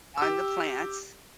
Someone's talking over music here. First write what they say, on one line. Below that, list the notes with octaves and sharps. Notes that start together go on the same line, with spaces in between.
on the plants,
G4 E6